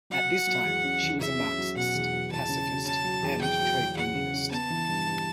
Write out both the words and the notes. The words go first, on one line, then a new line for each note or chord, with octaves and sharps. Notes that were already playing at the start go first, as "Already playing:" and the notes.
At this time, she was a Marxist, pacifist, and trade unionist.
F#3 F#5
F#3
F#3
E2
C#4
E2
E2 E5
C#4
F#3
B2 F#5
E2
F#3
E2 A5
C#3
F#3
C#4 A5
F#3
E2
E2 G5
F#3
E2
E2 F#5
C#3
C#4
B3 A5
E3
G2
G2